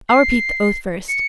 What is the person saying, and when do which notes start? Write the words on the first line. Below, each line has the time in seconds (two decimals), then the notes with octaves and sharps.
I'll repeat the oath first.
0.09 C7
1.09 C#7